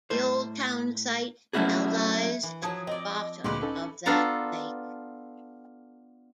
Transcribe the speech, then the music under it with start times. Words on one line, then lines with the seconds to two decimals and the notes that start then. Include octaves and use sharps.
The old townsite now lies at the bottom of that lake.
0.10 A2 C5
1.53 F#3 A3 C#4 E4 F#4 G#4
2.43 E3
2.62 F3 F#3 A5 D#6 G#6
2.87 C4 D5 D#5
3.44 D2 A#2 G#3 G4 B4
3.61 C#4 D#4 A4
4.06 B3 D4 F4 A4 A#5